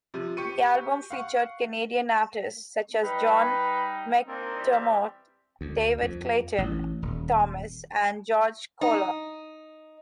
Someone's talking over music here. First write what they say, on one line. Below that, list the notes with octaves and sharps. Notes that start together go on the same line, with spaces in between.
The album featured Canadian artists such as John McDermott, David Clayton-Thomas and George Koller.
C3 F3
G4 C#6 C#7 D#7
F5 F#5 C#6
G3 D#4 B4
A#3 C4 D4 D#4
E3 G3 E5
D2
F2
A1
D#1
D#4